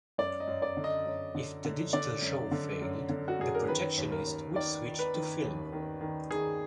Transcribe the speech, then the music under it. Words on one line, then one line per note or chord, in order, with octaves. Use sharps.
If the digital show failed the projectionist would switch to film.
F#2 D5
D#5
F#2
D5
D3
D#5
F#2
D3
D3
D3 D5
F#2
D3
F#2
D3
F#4
F#2 G#4
A#4
D#3 B4
D#2
A#4
D#2
D#3 D5
D#3
B4
D#3
D#2
D#3
D#3
D#3 G#4